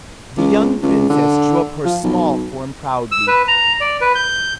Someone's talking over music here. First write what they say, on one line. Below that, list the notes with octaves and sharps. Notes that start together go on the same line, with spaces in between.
The young princess drew up her small form proudly.
C#2
C#2
D3
F3
B1
E6
B4
A#5
D5
B4
G6